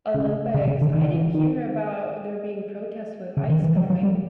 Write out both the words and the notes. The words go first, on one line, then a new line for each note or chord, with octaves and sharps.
Olympics, I didn't hear about there being protests with ICE going.
C#3
C#3
C#3
D3
D#3
E3
D#3
C#3
D#3
E3
F#3
F#3
G3